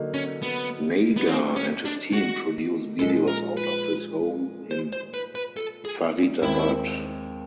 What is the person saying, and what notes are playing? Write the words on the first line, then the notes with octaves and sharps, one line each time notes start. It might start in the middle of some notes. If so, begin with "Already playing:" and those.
Nagar and his team produce videos out of his home in Faridabad.
Already playing: D3 F#3 A#3 D#4
C#4
B3
B3
C4
C#4
D4
F#4
A#2 F3 G#3 A4
A#4
B4
C5
C5
B4
B4
A4
G#4
D#2 D#3 G#3 C4 E4